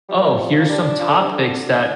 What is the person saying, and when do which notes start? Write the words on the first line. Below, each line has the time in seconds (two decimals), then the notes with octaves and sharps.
"Oh, here's some topics that
0.09 F3 G3
0.20 A#3
0.30 G3
0.61 A#3
0.69 G3 D4
1.00 F3
1.10 D3
1.21 C3
1.30 D3 D4